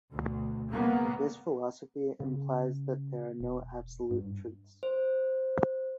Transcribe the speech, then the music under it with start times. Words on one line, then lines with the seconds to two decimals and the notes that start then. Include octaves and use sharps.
This philosophy implies that there are no absolute "truths".
0.11 D2 B2
0.69 C#3 G#3 A#3 B3
2.20 C#3
3.41 E1
4.11 G2
4.83 C5